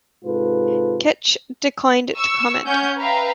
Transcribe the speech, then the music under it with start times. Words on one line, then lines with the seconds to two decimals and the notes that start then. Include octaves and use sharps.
Keetch declined to comment.
0.24 G#2 C3 F4 A4 B4
2.16 C#6 E6
2.65 C#4 F#5 G#5 G6
2.98 B4 E5 F5 G5 A#5